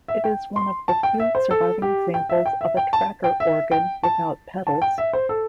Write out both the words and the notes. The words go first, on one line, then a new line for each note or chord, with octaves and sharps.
It is one of the few surviving examples of a tracker organ without pedals.
E5
G5
C6
A5
G5
E5
C5
A4
G4
G5
E5
G5
E5
G5
A5
G5
E5
G5
A5
A5
G5
E5
C5
A4